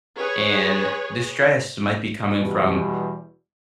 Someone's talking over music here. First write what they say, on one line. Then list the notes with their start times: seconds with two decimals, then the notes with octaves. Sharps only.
and the stress might be coming from,
0.15 G#4 B4 C#5
2.38 E2 B2 G3